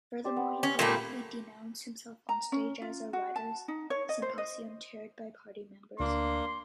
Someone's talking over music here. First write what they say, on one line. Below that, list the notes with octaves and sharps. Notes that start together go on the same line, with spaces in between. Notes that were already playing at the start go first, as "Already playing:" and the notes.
Furthermore, he publicly denounced himself onstage at a writer's symposium chaired by party members.
G4 C5 D5
B3
C#4 G5
A#2 G3 A3 B5 C#6
A#5
C#4
F4
F#4
A5
D#4
C#5
D#5
C5
D#5
D2 A#3 D4 C6